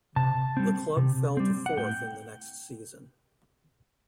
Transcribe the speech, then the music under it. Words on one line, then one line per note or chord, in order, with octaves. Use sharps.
The club fell to fourth in the next season.
C3 A5
G3 C4
C3
G3 C4
F#5
A2 G5